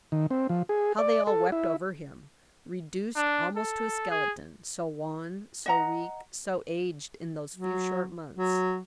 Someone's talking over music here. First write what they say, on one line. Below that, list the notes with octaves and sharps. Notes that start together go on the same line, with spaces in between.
How they all wept over him--reduced almost to a skeleton, so wan, so weak, so aged, in those few short months.
D#3
C4
F3
G#4
D5
A4
E4
D4
A4
G#4
D#5 F#5 A#5
F#3
F#3